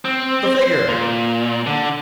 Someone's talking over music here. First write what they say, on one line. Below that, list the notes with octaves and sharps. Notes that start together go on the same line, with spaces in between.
The figure!
C4
C5
A#2
D3